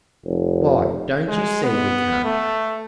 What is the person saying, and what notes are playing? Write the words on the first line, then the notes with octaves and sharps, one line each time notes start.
"Why, don't you see we can't?"
F1
G#3
B3
A3